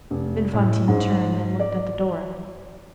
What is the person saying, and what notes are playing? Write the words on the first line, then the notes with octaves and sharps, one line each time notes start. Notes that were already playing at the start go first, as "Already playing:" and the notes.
Then Fantine turned and looked at the door.
F1
A2
G#2
D5